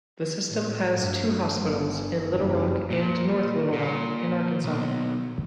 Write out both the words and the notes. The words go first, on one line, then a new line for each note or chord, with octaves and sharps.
The system has two hospitals in Little Rock and North Little Rock in Arkansas.
A2
G2
G1 G2
F#1
A#2
A#2
B1